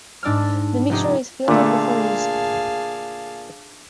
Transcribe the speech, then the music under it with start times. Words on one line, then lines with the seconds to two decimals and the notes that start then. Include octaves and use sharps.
The mixture is filtered before use.
0.23 G#2 D4 D5 E6 F6
0.90 F1 C#4 D#4 G4
1.48 A#2 D3 A3 G#4 F5 A5